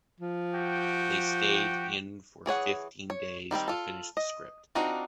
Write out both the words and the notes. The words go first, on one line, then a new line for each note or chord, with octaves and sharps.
They stayed in for fifteen days to finish the script.
F3
F#4 G4 G5
E3 G#4 C#5 F#5
C#5
D#3 G3 B3 C4
F4 A4
D#5
C4 D4 D#4 F4 F#4